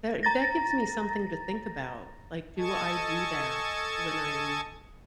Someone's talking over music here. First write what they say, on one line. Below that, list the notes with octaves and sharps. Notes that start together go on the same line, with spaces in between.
That that gives me something to think about. Like, do I do that when I'm
A#5 A6 A#6
A4 D#5 G#5 A5 C#6 G#6